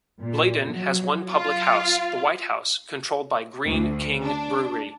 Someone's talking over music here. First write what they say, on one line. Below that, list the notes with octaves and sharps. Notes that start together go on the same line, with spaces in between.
Bladon has one public house, the White House, controlled by Greene King Brewery.
A#2
F#3
F4 F5
D2
D4